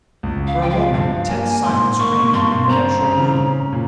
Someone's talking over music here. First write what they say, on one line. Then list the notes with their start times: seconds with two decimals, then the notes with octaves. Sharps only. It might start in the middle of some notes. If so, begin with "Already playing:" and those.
For a moment tense silence reigned in the nuptial-room.
0.23 C#2
0.47 F5
0.59 F3 G5
0.70 F5
0.94 G2 F5
1.28 A#3 G#5
1.63 G#2 C6
1.99 A#3 C#6
2.33 G2 C6
2.68 C4 A#5
3.03 C#3
3.38 C#4
3.73 A#2